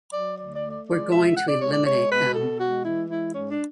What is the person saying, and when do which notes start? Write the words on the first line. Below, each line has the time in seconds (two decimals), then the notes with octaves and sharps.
We're going to eliminate them.
0.12 F#3 D5
0.36 D2 D5
0.52 D5
0.60 A3
0.68 D5
0.85 G#3 D5
1.10 B2 E5
1.35 B2 F#5
1.47 D5
1.59 G#3 C#5
1.72 D5
1.84 G#3 C#5
2.09 B2 B4
2.34 B2 A4
2.58 G#3 F#4
2.83 E3 E4
3.08 G#3 E4
3.32 G#2 C#4
3.49 D4